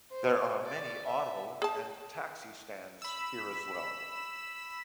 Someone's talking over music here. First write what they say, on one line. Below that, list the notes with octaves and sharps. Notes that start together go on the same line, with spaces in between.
There are many auto and taxi stands here as well.
C5
D5
E5
G#4 A5
B5 E6